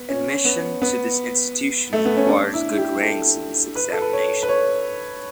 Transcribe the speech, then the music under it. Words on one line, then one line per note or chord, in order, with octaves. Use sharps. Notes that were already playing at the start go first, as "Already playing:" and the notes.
Admission to this institution requires good ranks in this examination.
Already playing: B3
C#4
B3
B3
A3
B3
C#4
D4
E4
G4
A4
B4
A4
B4
C#5
B4
C#5